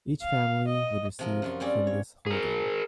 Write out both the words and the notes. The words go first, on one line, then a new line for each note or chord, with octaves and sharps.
Each family would receive from this holding.
F5
D#5
C3 F3 A#4
F#2 F3 F4
G3 C4 C#4 D5
C#5
G#4 A#4